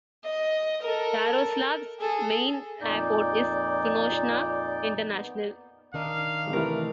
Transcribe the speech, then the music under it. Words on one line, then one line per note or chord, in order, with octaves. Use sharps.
Yaroslavl's main airport is Tunoshna International.
D#5
A4 A#4
G#4 A4
F2 A#2 D#4 D5 G6
B3
D#3 D4 D#4 F5
C3 E3 A3 A#4 B4